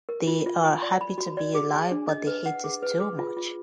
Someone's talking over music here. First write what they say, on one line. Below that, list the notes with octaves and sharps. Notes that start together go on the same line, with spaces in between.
They are happy to be alive, but the heat is too much.
A#4
F4
F4
G#5
D5
B5
F#4
D5
G#4
G#5
D4
D#5
B4
F#5
G#4
B4
G#4
F4
F4